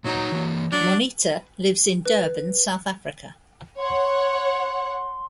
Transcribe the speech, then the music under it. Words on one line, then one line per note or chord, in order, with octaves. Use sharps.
Moneta lives in Durban, South Africa.
A#2 F#3 D#4 A#5
E3 A#3
F#3 D4
B4
C#5 F#5 C6